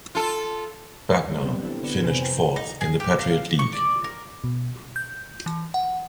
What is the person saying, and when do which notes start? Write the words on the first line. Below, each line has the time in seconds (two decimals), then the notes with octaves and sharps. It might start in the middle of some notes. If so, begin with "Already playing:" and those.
Bucknell finished fourth in the Patriot League.
0.15 F4 A4
1.24 D#2 G3
1.44 E3 F#3 B3 C4 D4 G4
1.61 C4 D4 E4 A4
1.83 D3 B3 B4 D5 C#7 E7
2.04 F2 C3 B4 C5 G#5
2.22 G5 A#5
2.56 D#4
2.81 G#4
3.00 G4
3.19 F5
3.59 C#6
3.73 D5
4.04 A#4
4.44 B2
4.96 G6
5.46 E3
5.74 F#5